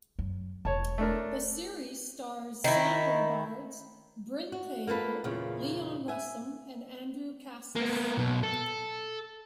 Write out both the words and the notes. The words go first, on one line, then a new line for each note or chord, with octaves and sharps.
The series stars Sam Robards, Brynn Thayer, Leon Russom and Andrew Cassese.
F#2
E1 C#5 A5
A3 D4 A#4
D#3 E4
F#4
A#3 F4 A4 B4
E2 A#2 C#3
E5 G#5
A#3 B3
B1 B2
A4